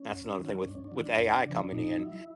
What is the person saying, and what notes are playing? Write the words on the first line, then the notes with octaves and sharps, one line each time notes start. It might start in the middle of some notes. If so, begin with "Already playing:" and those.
That's another thing with with AI coming in,
Already playing: C#4
F#2
D#3 F#3
G2 D4
C#4
D4
D#3 F#3
F#2
C#3 F3
A#2 D#4
F#3 E4